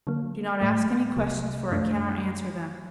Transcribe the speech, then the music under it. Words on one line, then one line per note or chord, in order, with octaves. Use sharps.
Do not ask any questions, for I cannot answer them.
D3 F#3 A#3
A2 F#3 A3
C2 C3 F#3
F#2 D#3 A3 D4